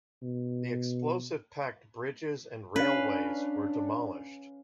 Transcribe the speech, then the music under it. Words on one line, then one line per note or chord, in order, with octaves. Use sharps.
The explosive-packed bridges and railways were demolished.
B2
C#4 D4 B4 F5